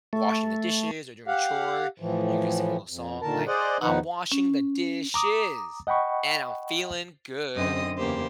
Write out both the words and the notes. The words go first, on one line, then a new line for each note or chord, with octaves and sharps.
washing the dishes or doing a chore, you could sing a little song like, "I'm washing the dishes, and I'm feeling good."
A3
G4 F5 F#5
A2 E3 F3
F2
A#2 D3 D#3 A#4 A5
G#4 C5 D5 D#5 F#5
E2 D#3 F3 D#4 B4 F#5
C#4
A#5 D6 D#6
D#5 F#5 G5 B5 C#6
F#2 D3 C4 D#5 D#6
E2 C#3 A#3 G4 C5